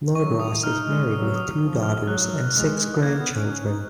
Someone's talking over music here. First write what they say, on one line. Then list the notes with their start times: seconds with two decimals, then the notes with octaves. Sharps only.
Lord Ross is married with two daughters and six grandchildren.
0.15 F#3 C#6
0.39 D#6
0.63 D#4 F6
0.87 G#3 F6
1.11 F#3 D#6
1.35 D#6
1.51 F6
1.59 F3 D#6
1.83 F6
2.06 F#3 F#6
2.55 G#3
3.03 A#3 G#6
3.18 B3
3.35 C#4
3.44 D#4
3.50 C#4
3.66 D#4